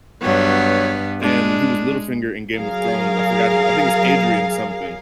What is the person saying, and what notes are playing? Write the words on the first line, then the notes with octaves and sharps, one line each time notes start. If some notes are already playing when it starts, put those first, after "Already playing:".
and he was Littlefinger in Game of Thrones, I forgot his I think it's Adrian-something,
G2 F#3 B3 C#5
G#3 D4
F#3 G#4 A#4 F5